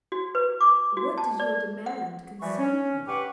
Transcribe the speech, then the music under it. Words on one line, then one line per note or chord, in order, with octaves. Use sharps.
What does your demand concern him?
F#4
B4
D6
F#4
A5
D5
F#5
E3 F3 G3 F#4 C#6
C#4
G4 B4 F#5 C#6 D6